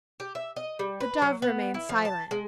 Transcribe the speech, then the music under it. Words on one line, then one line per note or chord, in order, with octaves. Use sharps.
The Dove remained silent.
G4
E5
D#5
G3
B4
F#3
B3
E4
F3
A5
G#3